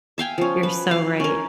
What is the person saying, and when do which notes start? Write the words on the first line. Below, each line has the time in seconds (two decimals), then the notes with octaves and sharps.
You're so right,
0.18 E5 F5 G5 G#5
0.38 F3 C#4
0.63 B4
0.91 F5
1.20 C#4 A#4